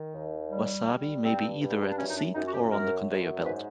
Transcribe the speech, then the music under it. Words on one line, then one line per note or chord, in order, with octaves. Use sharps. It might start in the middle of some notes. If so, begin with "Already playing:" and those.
Wasabi may be either at the seat or on the conveyor belt.
Already playing: D#3
D#2
G3
G3
G2 C4
G2
D4
F#2 C#4
D#4
D4
F#2 D#4
F#4
G4
F#2 A#4
F#2
G#2 B4